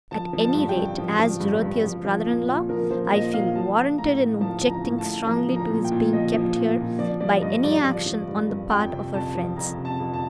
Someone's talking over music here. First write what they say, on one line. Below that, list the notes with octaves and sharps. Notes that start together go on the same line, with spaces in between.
At any rate, as Dorothea's brother-in-law, I feel warranted in objecting strongly to his being kept here by any action on the part of her friends.
F3 A5
F3
A5
G2
G5
G2
F3
F3
G2
G2
F3
F3
A#2
A#2
F3 A#4
F3 C5
A#2 D#5
A#2 F5
F3 A5
F3
A2 A#5
A2
F3 A5
F3
A#5
A2
A5
A2
F3 A#5
F3
A#5
A#2
G5
A#2
F3 D#5
F3
A#2
A#2
F3 D5
F3 D5
G2 D#5
G2 D5
F3 D5
F3
G2
G2
F2 G5
C3
F2 A5
F3
F2 A#5
C3
A5
F2
A5